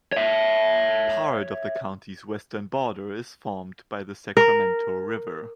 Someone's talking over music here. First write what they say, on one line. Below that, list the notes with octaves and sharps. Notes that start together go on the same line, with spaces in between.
Part of the county's western border is formed by the Sacramento River.
C#5 E5
A#4